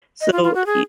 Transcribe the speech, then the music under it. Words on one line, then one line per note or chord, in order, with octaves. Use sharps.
So, y
D#5
F4
F4
F#4
G#4